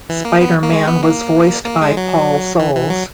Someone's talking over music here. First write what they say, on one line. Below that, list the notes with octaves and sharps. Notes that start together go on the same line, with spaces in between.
Spider-Man was voiced by Paul Soles.
E3
A#3
B3
A#3
G#3
B3
A#3
A#3
G#3
F#3
E3
E3
F#3